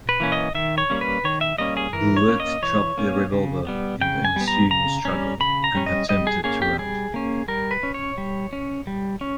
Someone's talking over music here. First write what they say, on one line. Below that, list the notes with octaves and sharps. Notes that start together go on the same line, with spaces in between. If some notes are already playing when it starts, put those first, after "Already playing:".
Bouvet dropped the revolver in the ensuing struggle and attempted to run.
B4
E3 A#3 C#4
D#5
D#3 E5
C#5
G3 A#3 C#4
B4
D#3 C#5
E5
G3 A#3 C#4 D#5
G#4
E3 A#4
C#5
A#3 C#4
D#5
E3 C#5
A#3 C#4
C#3
G3 B3
C#3 G5
G#5
G3 B3
A#5
C#3 A#5
G3 C#4
C#3 B5
A#5
G3 C#4
D#5
G3 D#5
G#4
A#3 C#4 G#4
G4
G3 G#4
A#3 C#4
G3 A#4
B4
C#4
C#5
G3
C#4
G3
C#4